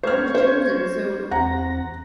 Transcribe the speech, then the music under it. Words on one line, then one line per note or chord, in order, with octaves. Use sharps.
I was chosen, so,
C5 C#6 F6 G#6
C5
E2 C4 F#5 A#5 A#6